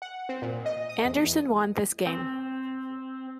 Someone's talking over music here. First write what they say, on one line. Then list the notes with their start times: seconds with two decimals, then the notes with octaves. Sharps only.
Anderssen won this game.
0.02 F#5
0.29 C4
0.42 A#2
0.66 D#5
0.89 D#6
1.05 E2
1.25 E2
2.07 C4